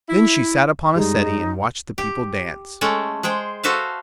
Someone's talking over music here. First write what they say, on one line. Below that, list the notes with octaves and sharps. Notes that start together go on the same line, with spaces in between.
Then she sat upon a settee and watched the people dance.
E4
F#2 G3 G#3 D#4
G4
G#3 A3 C#4 A4
G#3 G#4 C5 G5
F#4 A4 B4 C5 E5 F5